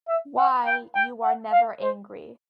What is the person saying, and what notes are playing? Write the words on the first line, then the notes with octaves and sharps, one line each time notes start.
Why, you are never angry!
E5
F#5
G5
G5
F#5
F5
C5